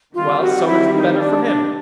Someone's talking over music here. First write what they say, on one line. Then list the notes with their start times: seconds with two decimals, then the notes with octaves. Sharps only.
"Well, so much the better for him."
0.14 D#3 G3 C4 F4
0.41 F#4
0.66 E4
0.93 D#4
1.19 D4
1.45 D4